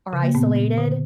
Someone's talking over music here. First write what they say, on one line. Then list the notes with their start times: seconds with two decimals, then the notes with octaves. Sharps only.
are isolated
0.13 C#3
0.23 A#3
0.35 A#2 B3
0.56 A#2
0.78 D3